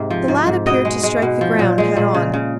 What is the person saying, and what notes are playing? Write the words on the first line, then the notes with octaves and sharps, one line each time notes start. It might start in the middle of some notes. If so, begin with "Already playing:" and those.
The lad appeared to strike the ground head-on.
Already playing: G#2 C3
F3
G#2
G#2
B2 D#5
G#3
G#3
B2
F3
A#2
G#3
A#2
C#3
C#3